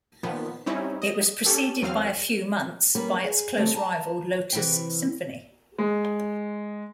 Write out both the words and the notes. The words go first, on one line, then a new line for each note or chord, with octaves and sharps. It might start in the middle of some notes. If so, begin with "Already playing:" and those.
It was preceded by a few months by its close rival Lotus Symphony.
A#2 D#3 F3 B3
G3 C4 C#4 D#4 E4
D#5
C#4 G4 A4
E2 F#3 C4 F5 F6
G3 A#3 B3 C#4 B4
G#4
C#3 A3 C4
A5 A#5
C3 E3 G#3 E4 B4 G5
G#3